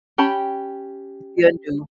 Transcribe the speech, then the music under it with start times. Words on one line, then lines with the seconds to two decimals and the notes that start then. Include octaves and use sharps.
still new.
0.18 C#4 G4 G5 A5 B5